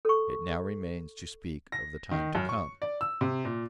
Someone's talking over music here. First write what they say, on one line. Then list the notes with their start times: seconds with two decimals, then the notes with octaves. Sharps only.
It now remains to speak of the time to come.
0.05 A4 C#6
1.72 A#6
2.11 D#3
2.35 F#2
2.49 C#6
2.82 D5
3.01 E6
3.21 C3
3.45 A#2